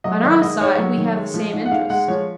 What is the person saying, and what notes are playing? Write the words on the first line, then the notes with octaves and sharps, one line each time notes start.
On our side we have the same interest.
F#3 D#5
D#3 D#5
G#2 D#5
G#2 C#5
F#3
D#3
G#3
F3
G#2
F#5
G#2 F5
G#3 F#5
F3 C#5